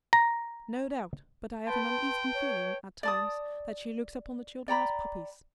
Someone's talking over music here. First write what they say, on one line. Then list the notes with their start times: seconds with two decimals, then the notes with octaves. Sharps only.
"No doubt, but I have an uneasy feeling at times that she looks upon the children as puppies."
0.13 A#5
1.67 B4 G5 A5 C6
2.34 C#5
3.03 D5 A5 D#6
4.68 D5 G5 A#5 B5